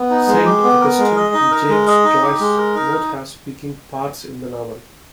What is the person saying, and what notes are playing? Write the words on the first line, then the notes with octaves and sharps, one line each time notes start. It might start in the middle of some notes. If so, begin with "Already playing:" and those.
Saint Augustine and James Joyce both have speaking parts in the novel.
Already playing: B3
D#4
G#3
G4
B3
A#4
G#3
D#5
D#4
A#4
G#3
D#5
D#4
G4
G#3
A#4
D#4